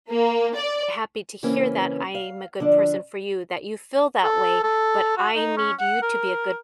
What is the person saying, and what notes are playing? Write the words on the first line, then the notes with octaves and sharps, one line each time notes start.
happy to hear that I'm a good person for you, that you feel that way, but I need you to be a good
A#3
D5
C#3 E3 A#3 C4 C#4
F5
D3 F3 D4
A4
A4
F#4
D#4
C#4
F#5
A#4